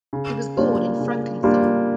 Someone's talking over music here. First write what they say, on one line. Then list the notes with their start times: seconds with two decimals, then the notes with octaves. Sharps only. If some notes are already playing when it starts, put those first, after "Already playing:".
He was born in Frankenthal.
0.13 C#3
0.57 G3 A#3 D4 F4
1.00 C#3
1.43 G3 A#3 D4 F4